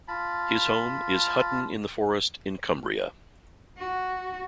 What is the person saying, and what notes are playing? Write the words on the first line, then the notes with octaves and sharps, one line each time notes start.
His home is Hutton-in-the-Forest in Cumbria.
F4 A5 B5
F#4